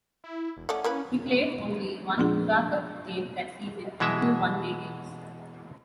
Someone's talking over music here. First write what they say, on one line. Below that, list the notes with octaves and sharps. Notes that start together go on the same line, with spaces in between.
He played only one Pura Cup game that season and two one-day games.
E4
E1
A3 C#4 D5 F#5
A#3 E4 B4
A#2 F3 G#3 D4 F4 G#4
B2 E3 G#3 E5